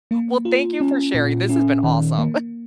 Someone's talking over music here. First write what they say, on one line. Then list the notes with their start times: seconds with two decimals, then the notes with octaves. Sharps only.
Well, thank you for sharing, this has been awesome.
0.11 A#3
0.45 F4
0.81 C#4
1.15 A#2
1.49 C#4
1.84 D#3
2.18 A#3